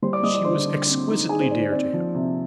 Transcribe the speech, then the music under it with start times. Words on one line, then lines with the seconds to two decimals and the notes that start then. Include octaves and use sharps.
She was exquisitely dear to him.
0.02 G3 C5 C6
0.13 D5 D6
0.23 G3 D#5 D#6
0.34 D5 D6
0.45 D3 C5 C6
0.66 D3
0.87 C4
1.09 D#4
1.29 D#4 G#4 G#5
1.40 C5
1.51 D#4 D5
1.61 C5
1.72 C4 D5
1.93 F3
2.15 C3